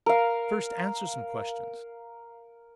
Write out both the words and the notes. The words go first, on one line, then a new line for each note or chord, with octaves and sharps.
First answer some questions.
A#4 F5